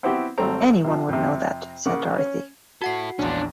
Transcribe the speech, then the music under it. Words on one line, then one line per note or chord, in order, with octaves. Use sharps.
"Anyone would know that," said Dorothy.
B3 C4 E4 F#4 G4
G#1 F#3 G3 A3 C4 A#5
C3 F3
F2 C3
C#3 A#3 C#4 F#5 D6
C#4
E4 F#4 A4 F#5 C7
A#1 E2 C#4 D4 F4